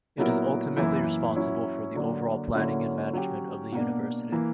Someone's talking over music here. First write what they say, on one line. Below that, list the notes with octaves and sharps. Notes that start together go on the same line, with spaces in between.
It is ultimately responsible for the overall planning and management of the university.
A#2 F#3 B3 E4 A#4
F#2 E3 A#3 E4
F#3 C#4 E4
D3 F#3 A#3 D4
D3 F#3 A#3 C#4 E4
F#3 C#4 G4
B2 A#3 D4
E3 A#3